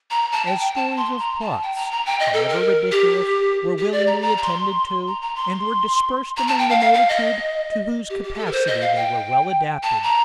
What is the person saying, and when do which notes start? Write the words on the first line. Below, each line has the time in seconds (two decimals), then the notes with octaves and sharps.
As stories of plots, however ridiculous, were willingly attended to, and were dispersed among the multitude, to whose capacity they were well adapted.
0.11 A#5
0.32 A5
0.47 G5
0.61 G5
0.76 A5
0.97 C6
1.19 A#5
1.40 A5
1.63 G5
1.76 A#5
1.91 A#5
2.06 G5
2.20 D#5
2.34 A4
2.49 A#4
2.92 G4
3.78 G4
3.92 D5
4.07 A#5
4.22 A#5
4.38 A#5
4.42 C6
5.08 A#5
5.22 A#5
5.36 C6
6.37 A#5
6.48 A5
6.59 G5
6.70 F5
6.80 F5
6.94 F5
7.09 D#5
8.10 G4
8.23 G4
8.35 G4
8.39 A4
8.46 A#4
8.52 C5
8.67 D#5
8.81 F5
8.96 G5
9.83 A5
10.03 A#5